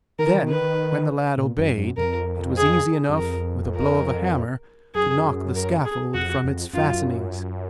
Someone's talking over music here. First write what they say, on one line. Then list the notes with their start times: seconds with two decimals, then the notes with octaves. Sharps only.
Then, when the lad obeyed, it was easy enough, with a blow of a hammer, to knock the scaffold from its fastenings.
0.19 D#3 A#4
0.27 F3
0.34 D#3
0.49 B4
1.38 A#2
1.57 F#2
1.77 F#2
1.97 F2 A#4
2.57 G#4
3.09 F#2
3.17 F2 A#4
3.76 A#4
4.95 F#2 G#4
5.55 A#4
5.84 G#4
6.14 F2 F#4
6.44 F2
6.73 F#2 F4